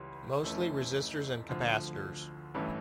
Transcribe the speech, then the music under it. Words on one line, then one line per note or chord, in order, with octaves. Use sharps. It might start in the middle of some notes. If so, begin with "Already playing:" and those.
Mostly resistors and capacitors.
Already playing: C#2 C#3 E3 G3 C#4
F1 F2 E3 A3 C#4
D2 D3 F3
A1 G2 E3 A3 C#4